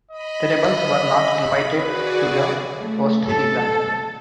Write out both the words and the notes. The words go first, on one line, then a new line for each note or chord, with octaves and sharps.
The Rebels were not invited to the postseason.
D#5 B5
F#4 G#4 B4 D5
A3
A4